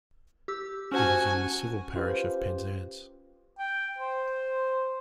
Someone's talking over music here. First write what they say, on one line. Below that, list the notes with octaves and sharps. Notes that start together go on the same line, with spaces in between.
It is in the civil parish of Penzance.
G4 E6
C#4 F#4 C5 G#5 A5
C#4 F4 G4 B4 C5
G5
C5